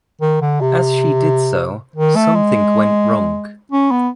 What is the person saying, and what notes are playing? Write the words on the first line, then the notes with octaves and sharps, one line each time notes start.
As she did so, something went wrong.
D#3
D3
C3
D#3
A3
G#3
C#4
B3